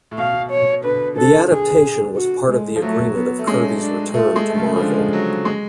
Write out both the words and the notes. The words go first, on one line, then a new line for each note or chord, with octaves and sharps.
The adaptation was part of the agreement of Kirby's return to Marvel.
A2
B2 F5
C#5
D3 B4
D3 A4
G#4
F#4
G#3
F3
F#3 A3
B3
A3
G#3 C#4
D4
A3 F4
G#3
A3
C#3
F3
D3 G#3
F#3
G#3